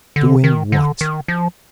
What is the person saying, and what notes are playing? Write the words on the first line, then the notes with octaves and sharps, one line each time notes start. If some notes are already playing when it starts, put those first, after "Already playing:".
"Doing what?"
D3
D#3
D3
D#3
F3